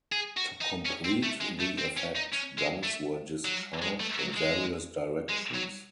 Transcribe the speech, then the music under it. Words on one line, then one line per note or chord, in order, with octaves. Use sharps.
To complete the effect, guns were discharged in various directions.
G#4
F#4
D#4
C#4
C4
A3
G#3
A3
C4
C#4
D#4
C#4
G#3
A3
F#3
G#3
A3
F#3
G#3
G#3
F#3